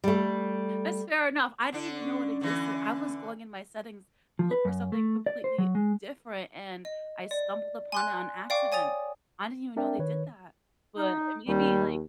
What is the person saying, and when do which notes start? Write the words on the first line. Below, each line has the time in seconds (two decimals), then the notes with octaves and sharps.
That's fair enough. I didn't even know it existed. I was going in my settings to look for something completely different, and I stumbled upon it on accident. I didn't even know they did that, but it made me, like,
0.04 G3 A3
1.72 D3 D4
2.02 C#4
2.41 D3 E3
4.39 F3
4.51 B4
4.65 F#2
4.92 A3
5.26 D5
5.44 C5
5.58 F#3
5.75 G#3
6.85 D#5
7.31 D5
7.92 G#5 C6 F#6
8.50 D5 F5 G5 C#6 D6
8.72 C#5 G#5 D#6 A6 F7
9.76 C4 D4 A#4 D5 E5 G5
9.99 D#3 B4 C#5
10.97 D#4
11.48 D#2 G3